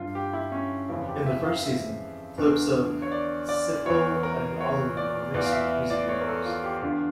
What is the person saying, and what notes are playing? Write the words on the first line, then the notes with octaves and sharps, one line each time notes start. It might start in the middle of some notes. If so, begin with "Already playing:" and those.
In the first season, clips of Sifl and Olly were mixed with music videos.
Already playing: G2 D3 F4
G4
E4
C#4
F2 C#3 E3 E4
G4
E5
F5
E5
E2 D3
C#5
D5
D5
E2 E3 C#5
A#4
C#5
D5
E2 E3 D5
F5
E5
E5
D5
C#5
A#4
A4
F4
G4
E2 D3 F4